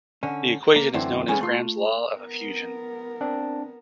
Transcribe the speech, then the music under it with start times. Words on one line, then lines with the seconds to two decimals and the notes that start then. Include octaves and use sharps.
This equation is known as Graham's law of effusion.
0.23 D3 C#4
0.76 A#3
0.94 F#2 D3 E3 A3 C4
1.28 E3 G#3 B3 C#4 G#5
1.41 A3 F4
2.16 B3 A#4
3.21 C4 D4